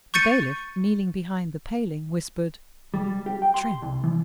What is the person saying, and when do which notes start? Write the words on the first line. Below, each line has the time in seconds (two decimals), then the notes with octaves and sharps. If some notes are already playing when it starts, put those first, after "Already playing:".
The bailiff, kneeling behind the paling, whispered, "Trim!"
0.14 C#6 G6 A6 C#7 D#7
2.94 G3
3.26 G4
3.42 G5
3.54 C6
3.82 C2
4.04 E3